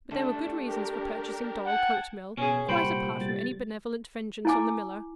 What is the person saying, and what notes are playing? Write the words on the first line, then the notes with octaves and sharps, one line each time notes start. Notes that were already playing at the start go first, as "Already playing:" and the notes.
But there were good reasons for purchasing Dorlcote Mill, quite apart from any benevolent vengeance on the miller.
G3 A3 D4
D4 G4 A#4
F#5 G5 A5 G#6
B2 C#4 G#4
C2 A#2 G3 F#4 C5 G5 B5
G3 A6
E4 G#5 D6